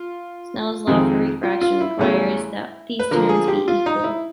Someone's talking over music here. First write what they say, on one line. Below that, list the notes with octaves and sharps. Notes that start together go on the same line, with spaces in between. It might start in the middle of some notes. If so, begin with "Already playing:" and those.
Snell's law for refraction requires that these terms be equal.
Already playing: F4
F2 C3 D#3 G#3 C4
F4
F4
E4
E2 C#3 F#3 A3 C#4
B4
D3 F3 A#3 A#4
G#4
G4
F4
D#4
E4